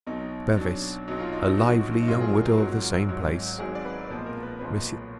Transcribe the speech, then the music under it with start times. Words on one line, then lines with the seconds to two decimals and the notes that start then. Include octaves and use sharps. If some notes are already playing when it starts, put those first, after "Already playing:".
BEVIS, a lively young widow of the same place. MRS.
0.07 B1 B2 F#3 D#4
0.57 B1 B2 F#3 D4
1.07 B1 B2 F#3 D#4
1.20 F4
1.32 D#4
1.46 D#4
1.58 B1 B2 F#3 F#4
2.03 D#4
2.08 G#1 G#2 F#3 F4
2.20 G#4
2.33 A#4
2.46 A#4
2.58 G#1 G#2 F#3 F#4
3.09 G#1 G#2 F#3
3.59 G#1 G#2 F#3 G#4
3.75 D5
3.85 B4
4.10 B1 A#2 F3 G#3
4.26 A#4
4.43 B4
4.59 B1 A#2 F3 G#3 B4